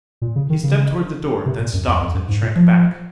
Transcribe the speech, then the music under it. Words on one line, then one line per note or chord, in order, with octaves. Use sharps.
He stepped toward the door; then stopped and shrank back.
A#2
C#3
D#3
C#3
C3
A#2
F#2
F2
F2
F#2
G#2
A#2
F3